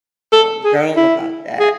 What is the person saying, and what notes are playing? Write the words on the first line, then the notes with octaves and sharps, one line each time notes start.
um, journal about that.
A4
G#4
E4
G#4